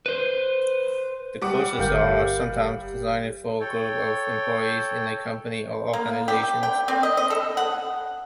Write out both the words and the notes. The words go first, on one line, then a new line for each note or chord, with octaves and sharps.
The courses are sometimes designed for groups of employees in a company or organizations.
B4 C5
G3 F#5 D6
G1 A#4 F5 G6
A4 C#5 G5
A#3
G4
G5
C4
D#5
D#5
A4
F#5